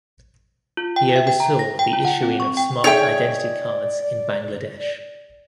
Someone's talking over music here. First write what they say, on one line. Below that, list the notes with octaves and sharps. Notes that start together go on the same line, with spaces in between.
He oversaw the issuing of smart identity cards in Bangladesh.
F4
G5
E5
G5
A#5
A#6
G5
F4
F#5
C4
C#6
G5
D#4 G#4 C#5 D5 E5 G5